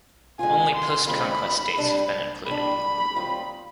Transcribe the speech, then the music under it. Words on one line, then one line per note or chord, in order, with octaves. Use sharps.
Only post-conquest dates have been included.
D3 G#3 C4 F4 G#5
C6
D3 G#3 C4 F4 B5
C3 G3 D4
C3 G3 D4 B5
D#2 D#3 G3 C4 F4